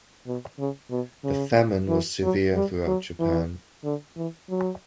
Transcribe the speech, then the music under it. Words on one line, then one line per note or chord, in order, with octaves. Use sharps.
The famine was severe throughout Japan.
B2
C#3
B2
C#3
E3
F#3
G3
F#3
E3
D3
E3
F#3